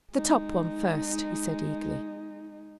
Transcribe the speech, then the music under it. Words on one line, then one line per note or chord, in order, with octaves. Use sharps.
"The top one first," he said eagerly.
G#3 D#4